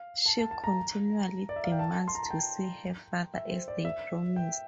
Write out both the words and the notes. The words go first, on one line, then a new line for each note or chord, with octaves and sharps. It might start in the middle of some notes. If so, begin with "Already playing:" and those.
She continually demands to see her father as they promised.
Already playing: F5
A5
A5
A5
A#5
D5
E5
F5
G5
A5
C6
A#5
A5
G5
E5
C5
D5
E5
G5